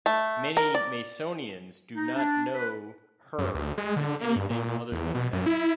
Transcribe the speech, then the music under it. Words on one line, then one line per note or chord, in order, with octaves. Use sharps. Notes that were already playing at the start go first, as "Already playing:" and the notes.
Many Masonians do not know her as anything other than that.
A3
A#4
D5
D#4
D4
B4
F#2
D2
G#3
D3
A#3
G2
A#2
E2
B2
F#2
E4